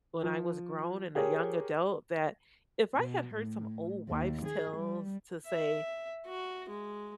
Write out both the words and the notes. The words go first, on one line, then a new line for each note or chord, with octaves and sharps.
when I was grown, and a young adult, that if I had heard some old wives' tales to say,
F3
G4 G#4 A#4 C#5
B2
A2
D#2
G#4
G3
E5
F#4
G#3